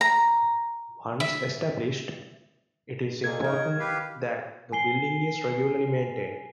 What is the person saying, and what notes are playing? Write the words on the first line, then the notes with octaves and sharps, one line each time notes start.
Once established, it is important that the building is regularly maintained.
A#5
E5
A#2 G#3 A#3 A4 G#6
D#4 A#4 D#5
G4 B4 F5
G#5 C7 G7